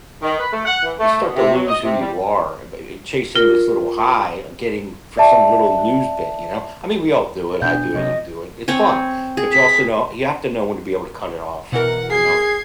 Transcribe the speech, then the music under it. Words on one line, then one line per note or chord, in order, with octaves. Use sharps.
you start to lose who you are, and, b eh eh chasing this little high, on getting for some little news bit, you know? I mean, we all do it, I do it, you do it, it's fun. But you also know you have to know when to be able to cut it off, you know?
D#3
B4
A3
F#5
E3
A3
B2
C3
F#3
D#5
C3
G3
F4 A#4
D5 E5 A5
B2 D4 G6
C3 F#3 D#5
C4 C#5 G#5
G#4
B6
B2 E3 A#4 F#5
G#4 G#6 C7